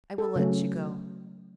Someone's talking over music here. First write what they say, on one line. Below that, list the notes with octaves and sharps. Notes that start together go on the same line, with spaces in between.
"I will let you go."
A4
C#3 F#3 A3 C#4